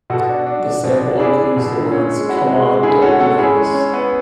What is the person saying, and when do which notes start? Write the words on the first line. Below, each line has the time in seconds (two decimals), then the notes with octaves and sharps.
The sample includes the words ... c'mon, don't be nervous!
0.10 B2 F#4 A4
0.29 D4
0.47 D4
0.65 D4
0.84 B2
1.01 D4
1.19 D4 E4 G#4
1.38 D4
1.57 B2
1.74 D3
1.92 C#4
2.11 G#3
2.29 E4 F#4
2.47 G#3
2.65 G#3
2.83 D3 E4 G#4
3.02 C#4 F#4 A4
3.19 G#3 F#4 A4
3.38 C#4 E4 G#4
3.57 G#3
3.74 C#4
3.94 B3